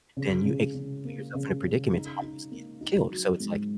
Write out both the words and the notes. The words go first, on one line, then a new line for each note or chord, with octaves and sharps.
them, then you ex put yourself in a predicament to almost get killed, so, it's, like,
C#3
C#3
C#3
A#3
C#3
C#3
D#4
D#4
A#3
D#4
F#3
G#2